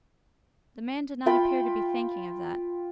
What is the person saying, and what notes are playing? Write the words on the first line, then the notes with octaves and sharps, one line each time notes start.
The man did not appear to be thinking of that.
F4 G5 B5